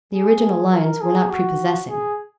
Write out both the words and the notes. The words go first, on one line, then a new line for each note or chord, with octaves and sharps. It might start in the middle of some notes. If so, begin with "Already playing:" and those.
The original lines were not prepossessing.
G#4
A#4
G#4
F#4
G#4